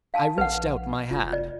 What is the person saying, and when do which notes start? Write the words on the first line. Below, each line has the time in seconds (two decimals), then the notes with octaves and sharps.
I reached out my hand.
0.14 F5 G#5 A5
0.38 A#1 B4 F#5
1.11 F1 F4
1.33 D5